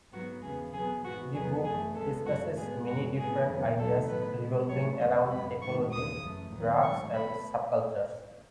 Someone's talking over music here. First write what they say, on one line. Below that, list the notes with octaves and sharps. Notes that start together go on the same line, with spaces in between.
The book discusses many different ideas revolving around technology, drugs and subcultures.
G#2 F#3 B3 F#4
E2 C#3 E3 B3 G#4
B2 F#3 B3 G#4
G#2 E3 B3 F#4
E2 D#3 F#3 B3 G#4
F#2 E3 A3 G#4
B2 G#3 B3 A4
F#2 C#3 F#3 A3 F#4
A2 G#3 B3 G#4
F#2 E3 G#3 F#4
A2 E3 G#3 B3 G#4
F#2 D#3 F#3 B3
D#2 D#3 F#3 A3 A4
A2 F#3 B3 B4
B2 G#3 B3
A2 F#3 A3 C#5
E2 C#3 G#3 B3 D#5
F#2 C#3 G#3 B3 B5
G#2 D#3 A3 C#6
D#2 C#3 E3 D#6
F#2 E3 A3
D#2 D#3 F#3 B3
G#2 F#3 A3 C#6
B2 A3 B5